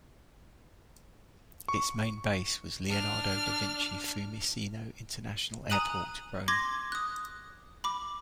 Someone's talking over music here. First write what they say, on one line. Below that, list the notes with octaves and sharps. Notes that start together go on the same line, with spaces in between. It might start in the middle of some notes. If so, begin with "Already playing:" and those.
Its main base was Leonardo da Vinci-Fiumicino International Airport, Rome.
C#6
D4 F6
G#5 A#5 D#6 F#6 D#7 F#7
C6 D6 G#6 A#6
D#6 F#6
B5 D6